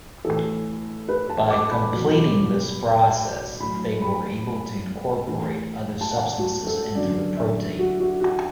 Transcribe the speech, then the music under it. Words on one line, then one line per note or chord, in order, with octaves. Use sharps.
By completing this process, they were able to incorporate other substances into the protein.
A2 E3 A4
B4
A5
D6
B5
E2 B2 F#3
A2 F#3 B5
B5
A2 E3
A5
F#5
F#4
A4
F#2 D3 F#3 D5
E5
F#4
F#4
F#4